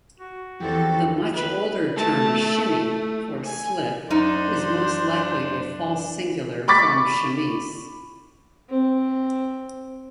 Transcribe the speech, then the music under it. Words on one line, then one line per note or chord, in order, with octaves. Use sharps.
The much-older term "shimmy" for "slip" is most likely a false singular from chemise.
F#4
E2 F3 C4 E4 G4 A4
B4
A3 A5
A3
G#5
F#2 D4 D#4 C5
B5 C#6 D6 A6 B6
C4